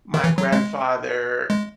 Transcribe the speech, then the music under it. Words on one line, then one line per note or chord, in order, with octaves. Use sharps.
my grandfather
D#3
E3
F#3
G#3
G#3